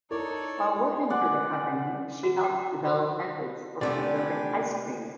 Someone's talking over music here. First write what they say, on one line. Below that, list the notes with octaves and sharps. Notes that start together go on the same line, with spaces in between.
While working for the company she helped develop methods for preserving ice cream.
D#4 E4 A4 A#4 C#5 D5
D5 F#5 G#5
F#4
G5 D6
C5 B5 C#6
C3 A3 B3 D4 G4 D5 G#5